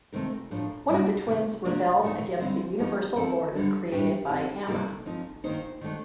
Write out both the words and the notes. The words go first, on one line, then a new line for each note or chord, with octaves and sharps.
One of the twins rebelled against the universal order created by Amma.
C3 D#3 A3 C4 A#4
A2 F3 A3 D4
C3 G3 D4 D5
C3 D#3 A3
C3 F3 A#3 D4 D5
A#2 A3 D#4
D3 G3 C4 D#4 C5
F3 A3 C4 D#4
F3 C4 D#4 A4
D3 G3 D4
A2 G3 D4 G4
F3 C4 D#4
C3 G3 A#3 D#4 A4
F3 C4 D#4
D#3 A#3 D#4 C5
D#3 A3 D4